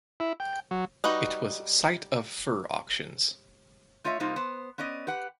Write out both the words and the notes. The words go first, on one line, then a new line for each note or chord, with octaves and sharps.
It was site of fur auctions.
E4
G5
F#3
G3 D#4 F#4 B4 D#5
A3 F4 C#5 D#5 E5
C3 G3 A#3 D#4 F4 C5
B3 C5
B3 C#4 D5 D#5
G4 B4 F#5